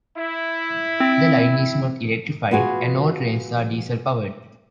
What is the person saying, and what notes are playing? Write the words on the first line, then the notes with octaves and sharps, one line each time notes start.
The line is not electrified and all trains are diesel-powered.
E4
C4
B3 F4 F#4 G#4